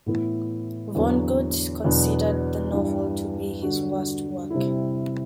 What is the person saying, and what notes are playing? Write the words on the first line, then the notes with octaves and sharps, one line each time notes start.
Vonnegut considered the novel to be his worst work.
A2 E3 B3 E4
E2 D3 F#3 B3
E2 B2 F#3 B3 D4
G2 E3 G3
D3 G3 D4 F#4
C3 G3 C4 E4